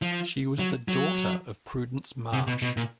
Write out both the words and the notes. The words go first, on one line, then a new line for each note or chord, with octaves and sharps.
She was the daughter of Prudence Marsh.
F3
F#3
F#3
C3
B2
B2
A#2